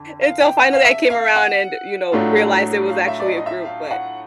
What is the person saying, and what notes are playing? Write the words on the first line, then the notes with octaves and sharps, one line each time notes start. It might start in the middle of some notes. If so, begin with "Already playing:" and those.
Until finally, I came around and, you know, realized it was actually a group, but
Already playing: F2 D3
F5
G5
F#5
F5
E5
F5
F#5
A2 F#3 A3 D4 F4
F5
E5
D5
D#5
D#5
E5
F5
F5
F#5